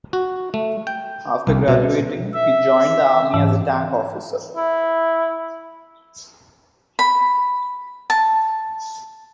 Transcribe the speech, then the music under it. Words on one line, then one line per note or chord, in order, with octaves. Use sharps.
After graduating, he joined the Army as a tank officer.
F#4
A3
G5
C2
B2
E5
G#2 E3
E4
B5
A5